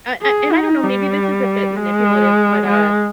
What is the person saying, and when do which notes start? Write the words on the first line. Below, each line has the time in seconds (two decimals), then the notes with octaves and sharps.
Uh, an and I don't know, maybe this is a bit manipulative, but, uh,
0.22 G#4
0.53 D#4
0.84 G3
1.76 G#3
2.68 G#3